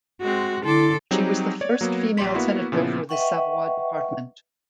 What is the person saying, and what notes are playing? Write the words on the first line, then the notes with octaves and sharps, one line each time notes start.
She was the first female senator for the Savoie department.
G#3 C4 F#4
D3 E4 A4 C6 D6
F#3 G3 C4 D#4 G4 G#4
C#5 D5 G#6
F#3 A#3 B3
A#1 G4 D5 C6 B6
A#3 B3 E4 F#4
A#2 C#3 F3 B3 E4
B4 D#5 E5 F#5 G5 C#6